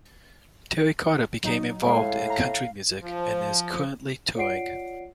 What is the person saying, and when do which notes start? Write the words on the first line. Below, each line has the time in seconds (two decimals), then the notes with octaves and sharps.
Terry Carter became involved in country music and is currently touring.
1.43 F#3 D#4
1.85 A2 G#3 E4 F5
2.30 A#5
3.01 F3
4.36 F4 C#5 D5 F#5 C7 D7